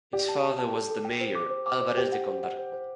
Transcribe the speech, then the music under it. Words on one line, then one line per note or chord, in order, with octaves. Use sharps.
His father was the Mayor Álvarez de Condarco.
G4 D5
A5
A5
A5
A4
A4
G5
C5
D6
C5
D6
C5
G4 C5
F#5
C5
F#5
C5
C5